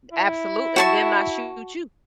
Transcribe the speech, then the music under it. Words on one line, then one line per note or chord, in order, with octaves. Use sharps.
Absolute and then I shoot you.
E4
F#4 A5 C#6